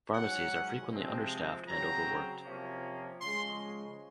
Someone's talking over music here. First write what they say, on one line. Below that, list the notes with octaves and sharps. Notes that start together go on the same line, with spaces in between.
Pharmacies are frequently understaffed and overworked.
G#2 F#3 C#4 F#5
C3 F3 G#3 C4
C#3 F#3 C4 A#5
C3 F3 A#3 C#4
C#3 F3 G#3 C6